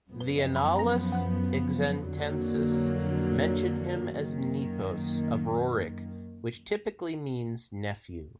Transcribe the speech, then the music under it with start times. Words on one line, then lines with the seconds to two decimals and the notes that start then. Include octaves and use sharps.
The Annales Xantenses mention him as "nepos" of Rorik which typically means "nephew".
0.10 F#2 F3 B3
2.11 F2 D3 F#3 A#3
4.10 F#2 D#3 A#3